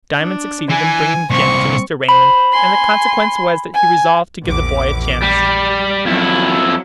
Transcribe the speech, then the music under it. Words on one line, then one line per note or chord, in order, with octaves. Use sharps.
Diamond succeeded in bringing Jim to Mr. Raymond, and the consequence was that he resolved to give the boy a chance.
D4
E3 G#5
C2 A#2 C4 C#6
C5 B5
G#5 C6
G#5
A#1 E2 D6
G3
F2 F3 F#3 E4